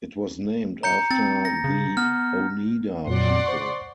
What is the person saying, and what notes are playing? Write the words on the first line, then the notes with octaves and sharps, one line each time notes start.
It was named after the Oneida people.
A#5 G6 C#7
C4 A6
A#6
C#3
B3 F6
F2 A#2 F#3 D5 F#5 C6
C5 C#6